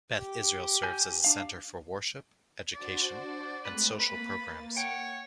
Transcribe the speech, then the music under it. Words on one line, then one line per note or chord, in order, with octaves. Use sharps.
Beth Israel serves as a center for worship, education, and social programs.
G4
G#5 G6
D4 F5
D4 F#4 C5 D5
G#3 A3 C4 B4
A#3 B4 B5 A6
C#5 F#5 G5